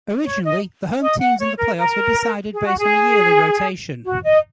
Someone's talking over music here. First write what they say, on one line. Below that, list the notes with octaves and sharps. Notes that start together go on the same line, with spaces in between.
Originally, the home teams in the playoffs were decided based on a yearly rotation.
C#5
D#5
D#5
F#5
C#5
A#4
A#4
G#4
F#4
G#4
F#4
D#5